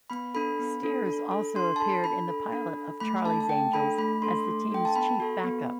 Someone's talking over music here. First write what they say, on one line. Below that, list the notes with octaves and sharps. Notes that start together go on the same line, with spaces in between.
Stiers also appeared in the pilot of "Charlie's Angels" as the team's chief back-up.
B3 B5
D4 A4 B5
B3
D4 A4
D4
A4
D4 C6
A5
A4 B5
D4 B5
A4
D4
A4
A3 B5
D4 A4 A5
A5
A3 G5
D4 A4 B5
A3 B5
D4 A4 C6
A3
D4 A4 G5
A5
B3 B5
F#4 A4
B3